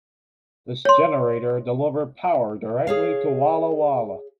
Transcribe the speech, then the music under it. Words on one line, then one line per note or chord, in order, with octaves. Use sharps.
This generator delivered power directly to Walla Walla.
C#5 C6
G#4 C#5 F5